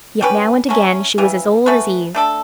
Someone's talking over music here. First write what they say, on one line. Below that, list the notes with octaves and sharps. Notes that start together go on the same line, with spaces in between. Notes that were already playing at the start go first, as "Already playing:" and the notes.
Yet now and again she was as old as Eve.
G3 C#4 G4 B4
F#3 A3 C#4
C#3 E3 G3
A3 C#4 F#4 B4
A3 D4 A4